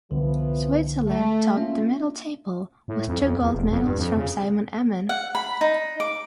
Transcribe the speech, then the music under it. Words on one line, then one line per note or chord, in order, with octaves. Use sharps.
Switzerland topped the medal table, with two gold medals from Simon Amman.
C2 D3 E3 F3 B3
A3
A#3 C#4 F4 E5
A2
F2
F2
E2
F1
F2
G2
F2
C#3
F#5
B5
D#4
D6